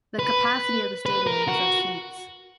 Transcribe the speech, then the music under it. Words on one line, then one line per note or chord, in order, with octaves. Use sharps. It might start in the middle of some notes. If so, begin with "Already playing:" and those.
The capacity of the stadium was of seats.
B4
B4
A#4
F#4